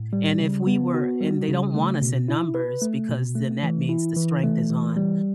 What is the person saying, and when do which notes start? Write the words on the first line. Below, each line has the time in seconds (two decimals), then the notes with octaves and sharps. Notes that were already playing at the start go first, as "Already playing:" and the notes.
And if we were and they don't want us in numbers because then that means the strength is on
Already playing: A2
0.13 G3
0.40 C#3
0.67 B3
0.94 F#4
1.21 G3
1.48 C#3
1.74 A3
2.02 B2
2.28 E4
2.55 B4
2.82 A3
3.09 B2
3.35 A3
3.63 E3
3.89 E4
4.17 E3
4.43 A3
4.70 E3
4.96 G3